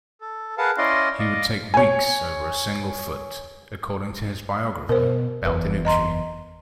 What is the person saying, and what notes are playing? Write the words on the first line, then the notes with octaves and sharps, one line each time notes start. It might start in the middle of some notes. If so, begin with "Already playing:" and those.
"He would take weeks over a single foot", according to his biographer Baldinucci.
A4
G#4 A#4 B4 F5 F#5 A5
C#4 E4 D5 D#5 F5 C6
D5 D#5 F5
C#5 G#5
B2 A#4 C5
F#1 E2 B4
D#5 A#5 C6